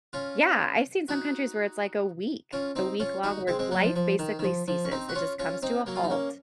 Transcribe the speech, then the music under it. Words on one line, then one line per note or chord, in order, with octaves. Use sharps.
yeah, I seen some countries where it's like a week, a week long where life basically ceases. It just comes to a halt,
C#4 F4
D#4 F#4
C#4 F4
C4 D#4
C#4 F4
D#4 F#4
G#3 C4
G#3 C4
F#3 A#3
F3
F3
D#3
D#3
F3
F3
C#4
C4 D#4
F#4
C#4 F4
C#4 F4
C4 D#4
F#3 A#3
F4
D#4
A#3 C#4